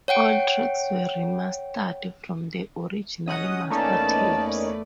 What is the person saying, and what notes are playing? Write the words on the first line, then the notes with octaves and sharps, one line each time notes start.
All tracks were remastered from the original master tapes.
C#5 F#5 G5 D7
C#4 D#5 F#5 D#6
E2 A3 A#3 C#4 D#4 B4 D5 A5